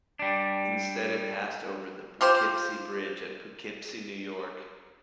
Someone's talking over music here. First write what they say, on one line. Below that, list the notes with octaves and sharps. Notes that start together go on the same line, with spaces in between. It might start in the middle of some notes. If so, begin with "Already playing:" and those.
Instead it passed over the Poughkeepsie Bridge at Poughkeepsie, New York.
G3 D4
F4 G4 C5